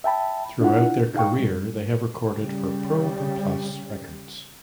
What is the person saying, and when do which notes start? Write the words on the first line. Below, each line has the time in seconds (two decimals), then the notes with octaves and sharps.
Throughout their career, they have recorded for Probe Plus records.
0.04 E5 G5 A5 B5
0.60 D4 E4 F4 F#5
1.15 D#4 G#4 F5 G5 C#6
1.40 G3
2.34 C#3 G3